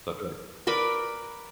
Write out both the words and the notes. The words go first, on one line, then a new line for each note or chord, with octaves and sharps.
so I feel like
A#4 B4 D5 B5